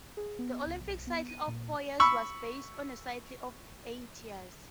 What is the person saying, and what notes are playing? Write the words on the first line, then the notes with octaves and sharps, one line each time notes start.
The Olympic cycle of four years was based on a cycle of eight years.
G#4
B3
C#2
B1
B3
D#7
A#2
B5 C#6 E6